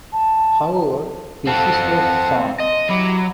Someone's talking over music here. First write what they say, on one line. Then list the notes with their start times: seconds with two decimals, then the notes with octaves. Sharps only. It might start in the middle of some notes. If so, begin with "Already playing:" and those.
However, his sister's son.
0.12 A5
1.47 C4 A4 F5 F#5 A5
2.60 C5 D#5
2.89 F#3 E4 G4